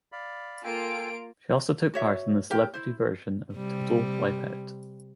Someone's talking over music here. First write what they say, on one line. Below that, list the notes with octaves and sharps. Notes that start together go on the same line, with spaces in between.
She also took part in a celebrity version of "Total Wipeout".
D5 F5 B5
A#3 F4 A4 G5 G#5 D7
F#4 C#5 E5
G4 A#4 G5
E4 C5
C3 G3